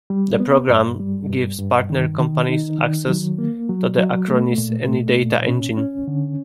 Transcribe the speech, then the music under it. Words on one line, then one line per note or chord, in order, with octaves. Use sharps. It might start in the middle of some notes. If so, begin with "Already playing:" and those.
The program gives partner companies access to the Acronis AnyData Engine.
G3
B3
G2
G3
G2
G2
D#3
D#3
D#4
D#3
F#3
A#3
F#3
F#3
A3
A#2
A3
A#2
C#4
C#4
D3